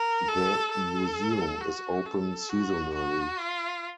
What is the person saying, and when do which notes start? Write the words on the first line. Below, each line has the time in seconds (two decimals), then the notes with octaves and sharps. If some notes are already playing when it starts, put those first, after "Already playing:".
The museum is open seasonally.
Already playing: A#4
0.28 A4
0.72 A4
1.61 F#4
2.06 A4
2.50 F#4
2.95 F#4
3.39 F4